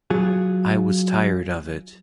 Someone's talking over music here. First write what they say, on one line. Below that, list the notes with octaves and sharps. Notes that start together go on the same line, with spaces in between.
I was tired of it.
F#3 F4 G#4